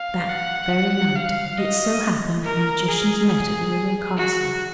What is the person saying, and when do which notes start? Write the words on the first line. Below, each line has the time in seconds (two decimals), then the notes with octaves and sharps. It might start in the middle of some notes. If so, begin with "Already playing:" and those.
That very night it so happened that the magicians met at the ruined castle.
Already playing: F5
0.29 F#5
1.15 F5
1.58 D#5
2.45 A#4
2.88 G#4
4.17 F#4